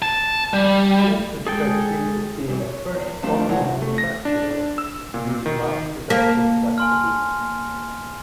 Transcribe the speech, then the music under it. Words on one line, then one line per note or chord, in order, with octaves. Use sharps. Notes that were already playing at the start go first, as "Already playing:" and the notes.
Pope is credited with being the first auto manufacturer to use mass production practices.
A5
G3
G#3 G#4 A4 G5
G2 E3
C#5
E2
F3 A3 D4 D#4 G4
E2 G#2 F3 F#3
A3
A#6
D4
D4
E6
A#2
D#3
A#3 A5
G#5 C6 F6